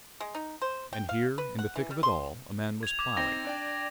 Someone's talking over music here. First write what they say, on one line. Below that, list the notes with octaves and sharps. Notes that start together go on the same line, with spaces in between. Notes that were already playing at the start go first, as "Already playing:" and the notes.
And here, in the thick of it all, a man was ploughing.
G#3
D#4
C5
G5
F5
B4
F#5
E3
G3
C6
G#6 F7
D6 G#6
C4 D#4 G5 A#6
D4 D5 G5